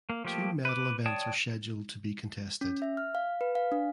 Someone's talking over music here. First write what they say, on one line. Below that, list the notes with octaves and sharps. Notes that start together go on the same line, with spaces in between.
Two medal events are scheduled to be contested.
A#3
F3 A3 A#3 G4
B4 D6
C#5 D5 G5 A5 D#6
C#4
E5
F6
F5
B4
F5
D4